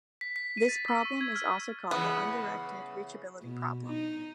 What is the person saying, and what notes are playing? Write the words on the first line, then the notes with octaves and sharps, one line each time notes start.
This problem is also called the undirected reachability problem.
B6
B6
D#7
A6
E6
C#6
G#6
F6
C#3 E3 B3
B2
D#4